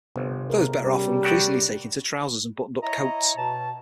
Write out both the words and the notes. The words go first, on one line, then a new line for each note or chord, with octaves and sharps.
Those better off are increasingly taking to trousers and buttoned up coats.
G1 C3 B3 C5
G#4 A#4
G3 C#4
F#4 G4 D5
E4 C#5 D#5 A#5
B2 A5